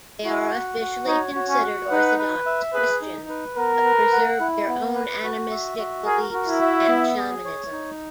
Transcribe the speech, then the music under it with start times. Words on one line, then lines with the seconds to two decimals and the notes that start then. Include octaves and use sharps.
They are officially considered Orthodox Christians, but preserved their own animistic beliefs and shamanism.
0.25 E4 F#4
0.53 F#5
0.81 F#4
1.07 D#4 C#5
1.35 F#4
1.49 C#4
1.63 F#5
1.91 D#4 B4
2.18 B4
2.46 E5
2.74 G#4 B4
3.01 D#4
3.29 B4
3.56 B3 A#4
3.84 B4
4.12 F#5
4.40 E4
4.68 B3
4.95 B4
5.24 F#4
5.51 E5
5.78 F#4
6.05 G#4 A#4
6.34 F#4
6.47 E4
6.62 E5
6.88 B3
7.17 G#4
7.45 C#5
7.72 D#4